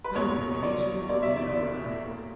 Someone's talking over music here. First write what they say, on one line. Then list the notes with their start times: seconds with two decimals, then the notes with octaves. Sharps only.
Complications soon arise.
0.04 B4
0.15 E2 B2 G3 A#3 C#5
0.62 D5
1.09 E2 B2 G3 A#3 D5
1.22 E5
1.36 D5
2.03 A#2 A#3